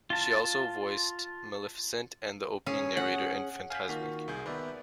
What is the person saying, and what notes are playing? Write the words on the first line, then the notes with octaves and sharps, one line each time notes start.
She also voiced Maleficent and the Opening narrator in 'Fantasmic'.
F4 A5
C#4 G#4
F#5
F5 G#5 G6 B6
D#3 A#3 F4 F#4 B6
C2 G#4 G6
D#3 B3 B4 D5 E5